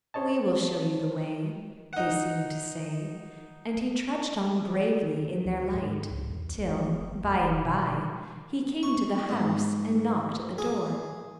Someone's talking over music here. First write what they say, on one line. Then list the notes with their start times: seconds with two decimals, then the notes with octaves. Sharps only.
"We will show you the way," they seemed to say; and he trudged on bravely in their light, till, by and by, he came to the house and knocked at the door.
0.14 C5 C#5 D#5 A5
1.93 D#4 F#5
5.30 F3
5.45 D2
5.75 G#2
6.11 C#2
6.30 E2
6.57 G1
6.80 E3
7.00 G1
7.24 E2
7.42 F1
7.65 B2
8.83 C#6
9.29 G#2
10.58 G#4